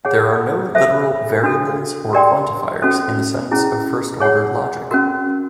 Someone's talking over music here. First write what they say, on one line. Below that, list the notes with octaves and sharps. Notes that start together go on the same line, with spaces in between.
There are no literal variables or quantifiers in the sense of first-order logic.
G#4 C#5 F#5
A4 C5 E5
D4 F#4 A4
G4 A#4 D5 G5 C6
C#4 F#4 A4 C5
C#4 E4 G#4
G#4 C#5 F#5
C#4 F#4 A#4